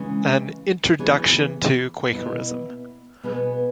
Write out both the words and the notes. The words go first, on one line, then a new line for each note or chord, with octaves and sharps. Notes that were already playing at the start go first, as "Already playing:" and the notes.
"An Introduction to Quakerism".
Already playing: C#3 E3 G#3 C#4
E3 B3 G#4 C#5
B2 B3 E4 B4
B2 B3 G#4 B4